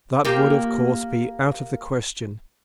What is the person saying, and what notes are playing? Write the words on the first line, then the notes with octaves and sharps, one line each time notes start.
That would, of course, be out of the question.
A#3 F4 G4